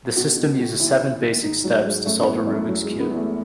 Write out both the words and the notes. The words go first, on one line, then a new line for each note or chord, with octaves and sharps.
The system uses seven basic steps to solve a Rubik's Cube.
B2 F#4
B2
C#2
D#2 E4
D#2
D#3
G#2 D#4
G#2 F#3
G#2 G#3
F#2 A3
B3
E3
F#2
A3
E2 F#3
G#3
E2
B3
E2
A3